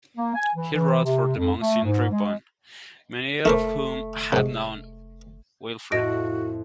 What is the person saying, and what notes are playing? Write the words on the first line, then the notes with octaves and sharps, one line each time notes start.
He wrote for the monks in Ripon, many of whom had known Wilfrid.
A#3
G#5
E3
E3
C3
F2
A3
G#2
G#3
F1 A3 E4 A#4 C5
C2 G#2
F2 A2 F#4 D#5 A#6 D7